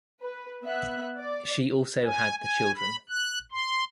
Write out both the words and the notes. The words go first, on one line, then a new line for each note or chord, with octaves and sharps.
She also had the children.
B4
B3 E5 F#6
D5
G#5
G#5
B5
F#6
C6